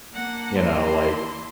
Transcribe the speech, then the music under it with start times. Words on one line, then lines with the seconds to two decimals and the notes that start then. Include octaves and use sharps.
You know, like
0.14 A#3 D4 F#5
0.56 E3 C6